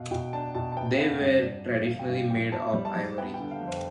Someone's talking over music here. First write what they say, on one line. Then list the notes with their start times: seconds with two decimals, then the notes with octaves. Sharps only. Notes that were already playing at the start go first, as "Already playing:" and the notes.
They were traditionally made of ivory.
Already playing: B2 F5
0.11 B2 G5
0.33 D4 A5
0.55 B2 A5
0.72 A5
0.77 B3 G5
0.98 B3 F5
1.21 G2 E5
1.42 G2 D5
1.64 F3
1.86 F3 F5
1.99 G5
2.09 G2 F5
2.30 F3 G5
2.52 B3 A5
2.73 G3
2.85 A5
2.96 G3
3.18 B3 G5
3.34 G5
3.40 D3
3.51 F5
3.61 F2
3.68 C5